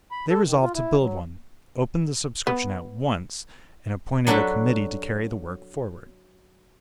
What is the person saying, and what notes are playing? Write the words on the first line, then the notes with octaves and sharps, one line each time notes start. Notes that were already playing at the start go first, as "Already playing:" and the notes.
They resolved to build one, opened the subscription at once, and appointed a committee to carry the work forward.
B5
A4
D#3
F4
E4
F#3
B3
F#3 D4 F#4 A4 B4